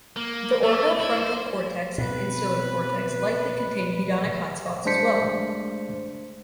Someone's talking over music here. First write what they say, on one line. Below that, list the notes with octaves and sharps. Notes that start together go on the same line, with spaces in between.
The orbitofrontal cortex and insular cortex likely contain hedonic hotspots as well.
A#3
A3
E4
C5
B2 C4 B4
G#3 A3 D4 C5 B6 C#7